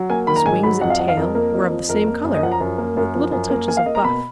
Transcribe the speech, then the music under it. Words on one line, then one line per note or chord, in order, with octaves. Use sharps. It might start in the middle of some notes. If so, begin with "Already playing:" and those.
His wings and tail were of the same color, with little touches of buff.
Already playing: F#3
A#3 G#5
D#3 B5
A#5
G#2 G#5
F#3 B5
F2 F#5
F5
F3 F#5
F5
F2 A#4
A#3 A#4
F2
F3
F2 A#4
A#3
F#2
D#5
F3 F#5
A#5
F#2
A#3
F#2
F3
F#2
A#3
A#3 G#5
F5
A#3 D#5
A#5
B2 B5